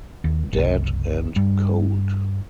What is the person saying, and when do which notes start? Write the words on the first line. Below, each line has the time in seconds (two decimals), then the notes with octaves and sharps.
Dead and cold.
0.24 D#2
0.53 F#1 C2
1.36 G2